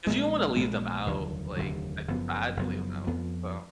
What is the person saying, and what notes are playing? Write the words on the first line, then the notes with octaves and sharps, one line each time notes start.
'Cause you don't wanna leave them out, like, I feel bad to leave 'em out, so
A#1 A#2 G#3 B3
A#1 A#2 G#3 B3
F1 D#2 D3 F#3
F1 D#2 D3 F#3
F#1 F#2 F3 B3
F#1 F#2 F3 B3
F2 F3 B3